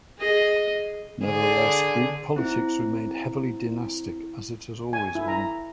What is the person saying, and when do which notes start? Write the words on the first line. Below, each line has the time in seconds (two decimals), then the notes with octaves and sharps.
Nevertheless, Greek politics remained heavily dynastic, as it has always been.
0.19 G#4 D#5
1.25 D3 G#4
2.36 C4 E4
4.93 G#5
5.15 E4
5.28 A#5